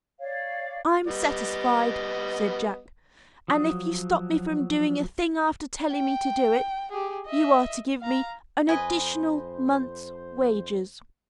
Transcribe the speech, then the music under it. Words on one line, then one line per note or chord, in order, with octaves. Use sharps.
"I'm satisfied," said Jack; "and if you stop me from doing a thing after telling me to do it, you are to give me an additional month's wages."
C#5 D5 F5
G3 B3 D#5
F3 F#3 D#6
G5
G4 G#4
D#5 E5
F5 A#5
F2 B4 C5 D#5 G#5